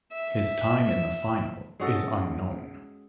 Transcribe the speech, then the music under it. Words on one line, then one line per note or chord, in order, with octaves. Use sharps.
His time in the final is unknown.
E5
G#3 C#4 F#4 A4